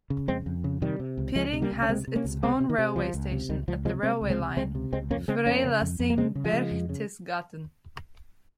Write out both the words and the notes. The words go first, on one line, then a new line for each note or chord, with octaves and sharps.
Piding has its own railway station at the railway line Freilassing-Berchtesgaden.
C#3
F2 G#3 C4
F2
C#3
C3 D#3 G3
C3
C#2
C#2 F3 G#3
C3
G3 A#3
C#2
C#4
C3 G#3 C4
C3
A#3 C#4
C#2
C3 G#3 C4
C3
D#3
C3
C#2 F3
C#2
C3
C#2 D#3
C#2 F3
C3 F3 G#3
C3 G#3 C4
C#2
G#3 C4
C3
C#2 G#3 C4
C3
C#2 G#3 C4
F2 A#3 C#4
C#3 G#3 C4
F2 A#3 C#4
C#3
F2
F2
A#3
C#3 G#3 C4
C#3
F3 G#3
C#3
F2
C#3